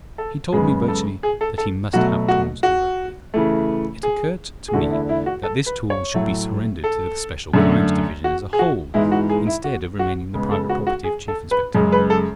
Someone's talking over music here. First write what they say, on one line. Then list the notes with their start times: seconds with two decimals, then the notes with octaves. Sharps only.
He told me virtually that he must have tools to work with. It occurred to me that this tool should be surrendered to the Special Crimes division as a whole, instead of remaining the private property of Chief Inspector Heat.
0.18 A4
0.52 F#2 C#3 G#3 B3 G#4
0.88 A4
1.23 G#4
1.41 A4
1.58 A4
1.93 B2 F#3 A3 F#4
2.28 F#4
2.63 F#4
3.34 C#3 E3 A3
4.03 G#4
4.68 G#4
4.73 E2 D3 A3 F#4
4.91 E4
5.09 E4
5.26 F#4
5.43 A4
5.66 B4
5.90 C#5
6.14 A2 F#3 A3
6.84 A4
7.54 F#2 D3 A3
8.24 F#4
8.53 G#4
8.59 F#4
8.94 G#2 E3 G#3 B3 E4
9.12 F#4
9.29 G#4
9.47 E4
9.64 F#4
9.99 F#4
10.34 C#3 G#3 B3
10.51 A4
10.69 F#4
10.87 F#4
11.04 G#4
11.28 A4
11.51 B4
11.74 F#2 C#3 G#3
11.92 B4
12.10 A4